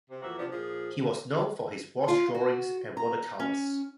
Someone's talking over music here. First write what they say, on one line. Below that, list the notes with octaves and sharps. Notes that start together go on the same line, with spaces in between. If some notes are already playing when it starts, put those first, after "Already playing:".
He was known for his wash drawings and water colours.
C3
F2 E3 A#3 F#4 E5
C3 F3 B3 D4
A#2 F3 G#4
F4
F#4
A#5
C#4